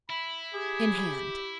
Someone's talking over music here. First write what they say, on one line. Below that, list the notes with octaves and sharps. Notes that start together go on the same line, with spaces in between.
"In hand."
E4 B5
G4 G#4